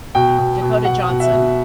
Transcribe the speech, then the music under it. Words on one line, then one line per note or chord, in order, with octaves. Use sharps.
Dakota Johnson.
B2 G5
B2
B2
B2 F#5
B2
E5
B2